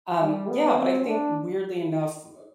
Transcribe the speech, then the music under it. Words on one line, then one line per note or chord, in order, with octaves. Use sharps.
um, yeah, but I think, weirdly enough, m
G3
B3
C4
D4